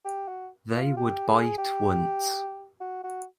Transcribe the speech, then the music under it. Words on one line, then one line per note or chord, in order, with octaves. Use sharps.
They would bite once.
G4
F#4
F4
G4
G#4
G4
F#4
F#4